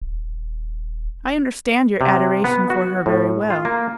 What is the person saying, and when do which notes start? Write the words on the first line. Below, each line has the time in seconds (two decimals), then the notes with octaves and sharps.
I understand your adoration for her very well.
0.01 D#1
2.01 C3
2.44 B3
2.70 F#4
3.06 A2
3.50 F4
3.65 A#3